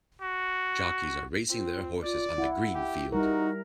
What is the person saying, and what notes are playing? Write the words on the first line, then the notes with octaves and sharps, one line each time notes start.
Jockeys are racing their horses on the green field.
F#4
C4 F4
F4 D5
E4 F#5
G4
G3 D#4 F#4 A#4